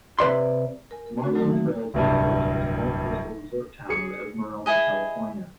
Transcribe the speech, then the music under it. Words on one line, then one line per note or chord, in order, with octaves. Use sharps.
Marlowe trails Mayfield to the small coastal resort town of Esmeralda, California.
C3 B4 D5 C6
A#4 G#5
A#4
A3 C4 F#4
D#3 F#3 A3 A#3 C4 D#4
E3 D#4
D1 C2 G2
G#4 C#7
E4 G#4 D#5